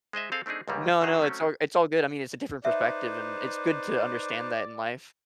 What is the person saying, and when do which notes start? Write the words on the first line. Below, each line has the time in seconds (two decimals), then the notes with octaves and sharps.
No, no, it's alr it's all good, I mean, it's a different perspective, and it's good to understand that in life.
0.13 G#3 C5 D#5 E5
0.32 C4 G#4 A4 F5
0.46 A3 C4 D4 D#4 G#4
0.68 C#2 G#2 D#3 E3 G3 A#3
1.01 F#2 D#3 F#3 D#4 G#4
1.21 F#3 A3 C4 C#4
2.65 D#4 B4 C5 D5 E5